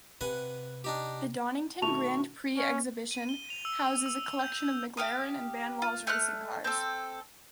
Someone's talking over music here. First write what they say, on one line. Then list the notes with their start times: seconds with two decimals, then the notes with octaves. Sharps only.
The Donington Grand Prix Exhibition houses a collection of McLaren and Vanwalls racing cars.
0.21 C3 B4 F#5 G#5
0.84 D4 D#4 G4
1.82 B2 D#3 A3 A5 C#6 F7
2.57 C#4
3.11 D#7
3.29 G7
3.50 F7
3.65 E6
3.86 F7
4.06 E6
4.39 G6
4.97 G4 F5 D#6
5.82 F4
6.07 A3 F6 F#6
6.64 C4 A4